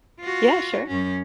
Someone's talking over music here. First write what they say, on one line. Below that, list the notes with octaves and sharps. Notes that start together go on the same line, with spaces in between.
Yeah, sure
F4 F#4
F#2 C#4